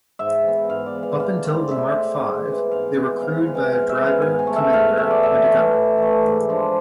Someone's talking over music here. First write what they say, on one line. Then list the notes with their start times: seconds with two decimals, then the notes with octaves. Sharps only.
Up until the Mark Five, they were crewed by a driver-commander and gunner.
0.19 G#2 E5
0.44 E3 B3
0.69 G#2 F5
0.86 D5
0.95 E3 B3
1.03 F5
1.20 A2 F5
1.45 G#3 C4 D5
1.70 A2 E5
1.95 G#3 C4
2.21 G#2
2.45 E3 G#3 B3
2.71 G#2 F5
2.96 E3 G#3 B3
3.22 C3 F5
3.38 F5
3.47 E3 G#3 B3
3.55 G#5
3.72 C3 F5
3.89 E5
3.97 E3 G#3 B3
4.06 F5
4.22 G#2 G#5
4.39 G#5
4.47 E3 A3
4.56 E5
4.72 G#2 F5
4.98 E3 A3 E5
5.11 D5
5.23 A2 E5
5.48 E3 A3
5.74 A2
5.98 E3 A3
6.24 G#2
6.49 F3 G#3 D4